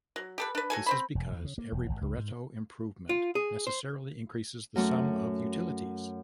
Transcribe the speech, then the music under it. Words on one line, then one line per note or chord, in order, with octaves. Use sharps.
This is because every Pareto improvement necessarily increases the sum of utilities.
F#3
G4 A4 B4
D4 B4
F#3 A4 G#5
C4 C5 B5
E1
E2
C#3
A#3
E1
G#1
C#2
G#2
F4
G#4
C5
F#2 A3 C#6